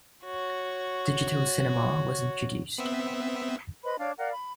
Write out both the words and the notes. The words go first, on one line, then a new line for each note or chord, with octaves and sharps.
Digital Cinema was introduced.
F#4 C#5
B3 C4 E5
B4 C5 D#5 B5
D4 C#5 D5 F5
A#4 D5 F5 F#5
B5